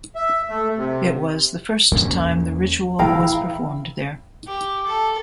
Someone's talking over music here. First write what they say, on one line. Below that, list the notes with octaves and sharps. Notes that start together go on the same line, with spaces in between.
It was the first time the ritual was performed there.
E5
A3
C3
E2 A#3 C#4
D#1 E3 E4 F5 G5 A#5
G4
A4